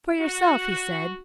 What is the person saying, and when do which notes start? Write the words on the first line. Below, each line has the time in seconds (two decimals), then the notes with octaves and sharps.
'For yourself,' he said.
0.20 F#4